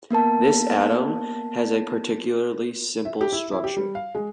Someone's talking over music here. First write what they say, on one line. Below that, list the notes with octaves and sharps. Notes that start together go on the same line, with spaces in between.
This atom has a particularly simple structure.
A#3 B3 A#4 A5
E5
G4
E4
E4
G4
G3
F5
G#3